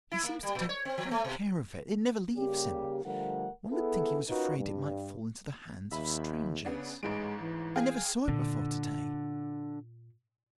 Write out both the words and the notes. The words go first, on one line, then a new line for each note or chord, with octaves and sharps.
He seems to take great care of it--it never leaves him. One would think he was afraid it might fall into the hands of strangers. I never saw it before to-day.
E4
A#3
G3
A#2
C#5
C4
F3
A3
B2
C#3 G3 A#3 G4
D3 F3 G3 A3 A#4 F#5
B3 E4 G#4 A4
C#4 D#4 F4 F#4 A#4 B4
G2
D#2 E5 B5
C#3 B3 D4
A1 G#2 G#3 D7
E3
G#4 F5 G5
A#2 D3